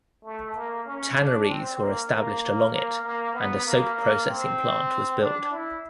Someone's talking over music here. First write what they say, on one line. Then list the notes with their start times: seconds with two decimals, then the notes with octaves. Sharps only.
Tanneries were established along it and a soap processing plant was built.
0.23 A3
0.54 A#3
0.85 C#4
1.17 D4
1.48 C4
1.79 A#3
2.10 A#3
2.71 A#3
3.03 A#3
3.33 B3
3.65 A#3
3.95 A#3
4.27 C4
5.19 D4
5.51 E4